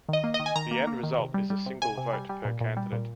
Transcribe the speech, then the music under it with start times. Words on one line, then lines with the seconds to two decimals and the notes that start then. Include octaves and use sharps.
The end result is a single vote per candidate.
0.09 D#3 D#5
0.24 A#3
0.34 D#5
0.39 D#3
0.46 G#5
0.56 D#3 A#5
0.71 A#3
0.87 A#3
1.03 D#3
1.19 C3
1.34 G3
1.50 G3
1.66 C3
1.82 C3 G#5
1.98 C3
2.13 G3
2.29 G3
2.45 A#2
2.61 A#2
2.77 G3
2.92 A#2